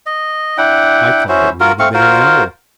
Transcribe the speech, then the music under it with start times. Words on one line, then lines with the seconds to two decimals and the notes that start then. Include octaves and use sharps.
I thought it might have been an owl.
0.06 D#5
0.58 D4 E4 F#5 G5
1.29 C#4 E4 F#4 C5
1.60 F4 F#4 A#4
1.79 A3 C4 F5 C#6
1.94 F4 F#4 A#4 C5